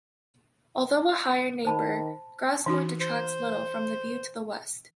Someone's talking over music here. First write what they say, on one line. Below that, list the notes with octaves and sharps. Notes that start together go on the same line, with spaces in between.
Although a higher neighbour, Grasmoor detracts little from the view to the west.
D#3 C5 A5 B5
E3 D#4 F#4
C5